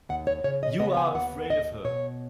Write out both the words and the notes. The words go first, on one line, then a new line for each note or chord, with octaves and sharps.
You are afraid of her!
D#2 F#5
C#5
C#3 C#5
D#5
B3 D#5
G#5
D#2 F#5
D#2 D#5
B2 C#5